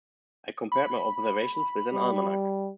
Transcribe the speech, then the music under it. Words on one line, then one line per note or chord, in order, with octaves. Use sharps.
I compared my observations with an almanac.
B5
G3